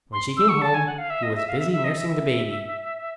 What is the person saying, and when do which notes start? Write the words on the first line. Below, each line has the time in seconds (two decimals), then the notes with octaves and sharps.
When she came home, he was busy nursing the baby.
0.13 C6
0.37 E6
0.49 C#6
0.62 A5
0.74 G#5
0.87 F#5
0.98 F5
1.10 E5
1.23 D#5
1.36 E5
1.47 F5
1.59 E5
1.72 E5
1.84 D#5
1.97 E5
2.09 E5